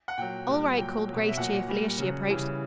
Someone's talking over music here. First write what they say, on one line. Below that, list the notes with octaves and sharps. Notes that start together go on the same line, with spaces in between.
"All right," called Grace cheerfully as she approached.
F#5
A#2 F#3 G5
A#2 G3
A#2 F#3 G5
B2 F#3
E5
A#2 F#3 F#5
A#2 G3
C#3 F#3
C#3 E3 G3